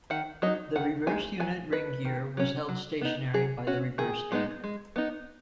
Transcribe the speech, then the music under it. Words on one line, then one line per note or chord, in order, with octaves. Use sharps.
The reverse unit ring gear was held stationary by the reverse anchor.
D#3 F#5
F#3 D#4 D#5
D#3 F#5
G#3 D#4 G#5
F#3 G#5
D#4 B4
D#3
F#3 C#4
F#3
B3 D#4
F#3 G#4
C#4 F#4
D#3 G#4
G#3 B3 D#4
G#3
B3 D#4